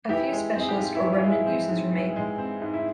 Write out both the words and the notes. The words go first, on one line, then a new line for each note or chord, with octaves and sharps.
A few specialist or remnant uses remain.
E3 E4 G4
G#3
C4 G#4
G4
G#2 F4
E4
E3
F4
G#3
E4
C4
G#2
E3
G#3
C4
G#2
E4